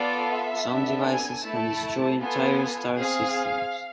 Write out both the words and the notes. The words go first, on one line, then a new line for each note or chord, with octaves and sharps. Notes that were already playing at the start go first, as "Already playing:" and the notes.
Some devices can destroy entire star systems.
Already playing: B3 F4 A4 D5
E5
B3 D4 A4
G#5
A3 E4 A4 A5
B3 F4 A4 G#5
C4 G#4 F5